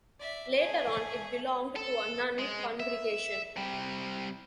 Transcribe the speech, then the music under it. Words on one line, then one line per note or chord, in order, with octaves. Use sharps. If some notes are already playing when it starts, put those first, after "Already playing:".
Later on, it belonged to a nun congregation.
D5 E5
A3 G#4
A4
G#3
E5
C3 G3